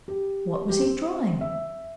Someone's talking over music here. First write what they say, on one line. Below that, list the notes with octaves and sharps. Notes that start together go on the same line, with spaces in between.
What was he drawing?
G4
G4
C4
E5